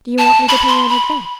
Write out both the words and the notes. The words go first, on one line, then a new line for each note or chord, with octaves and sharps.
Do you want me to pay you in advance?
A5
B5
C6
B5